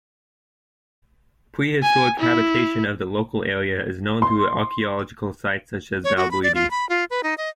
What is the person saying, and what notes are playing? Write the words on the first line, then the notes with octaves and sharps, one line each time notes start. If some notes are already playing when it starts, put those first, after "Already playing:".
Prehistoric habitation of the local area is known through archaeological sites such as Balbridie.
G#5
E4
C6
C#5
F#4
B5
D5
F4
B5
F4
B4
D#4
D#5